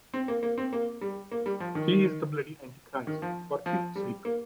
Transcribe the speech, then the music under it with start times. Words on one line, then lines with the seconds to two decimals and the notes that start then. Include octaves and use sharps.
He's the bloody Antichrist, for Pete's sake.
0.14 C4
0.28 A#3
0.43 A#3
0.58 C4
0.73 A#3
1.01 G3
1.32 A#3
1.46 G3
1.60 F3
1.75 D#3
3.07 D#3
3.22 F3
3.66 F3
3.96 G3
4.25 A#3